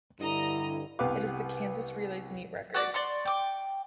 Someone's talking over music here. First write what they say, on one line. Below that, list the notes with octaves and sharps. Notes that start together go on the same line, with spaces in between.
It is the Kansas Relays meet record.
G2 D3 E4 D#5 A#5
C2 B3 G4 B4 F5 D6
F#4 D5 D6
D5 C6 C#6
G5 D6